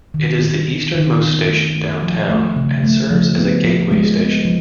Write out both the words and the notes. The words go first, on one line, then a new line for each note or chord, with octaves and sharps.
It is the easternmost station downtown, and serves as a Gateway station.
D#3
D#3
B3
D#3
B3
A3
A3
F3
A3
C#3
A3
F3
B3
F3
G#3
B3
F3